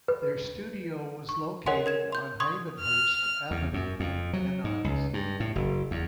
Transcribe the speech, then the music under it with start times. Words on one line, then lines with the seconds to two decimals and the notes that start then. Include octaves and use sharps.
Their studio was located on Hayvenhurst Avenue in Van Nuys.
0.08 B4
1.29 C#6
1.66 A#4 C#5 D#5 F#5 G#5 C6
1.86 A#4 G#6 E7
2.12 C6 G6
2.40 C6 C#6 D#6 G#6
2.80 F6
3.51 E2
3.74 F#2
4.00 F2
4.33 F#3
4.64 G#2
4.84 C#2
5.13 G2
5.40 A2
5.55 F#1
5.91 E2